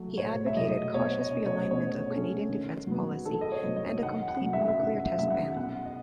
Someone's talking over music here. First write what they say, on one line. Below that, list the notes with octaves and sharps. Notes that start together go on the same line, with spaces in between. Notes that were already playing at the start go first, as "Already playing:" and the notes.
He advocated cautious realignment of Canadian defence policy, and a complete nuclear test ban.
Already playing: F#3 A3
A2 C#5
E5
F#3 A3 D#5
B2 C#5
D#5
A3 C#4
C#5
B2 C#5
A3 C#4
D#3
F#3 B3
D#3 A4
D#5
C#5
F#3 B3
D#5
D#3 F#5
F#5
F#3 C#4
E5
F#5
E5
D#3 F#5
E5
F#3 C#4 E5
F#5
B2 F#5
D#5